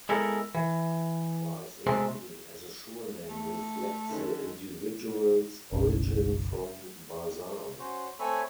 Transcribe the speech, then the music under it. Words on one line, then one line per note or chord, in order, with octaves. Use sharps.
Barzani as a surname reflects the individual's origin from Barzan.
G#3 B3 E4 A4 A#4
E3
C3 G#3 A3 C4
A3
D3 D#3 C#4
F#1 B1 C#4
C#4 F#4 C5
A3 C4 A4 C#5 G#5 B5